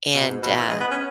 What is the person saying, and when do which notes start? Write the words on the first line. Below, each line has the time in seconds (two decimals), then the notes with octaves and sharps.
and, uh,
0.14 B2
0.28 G#2
0.43 B2
0.58 E3
0.69 G#3
0.81 B3
0.91 C#4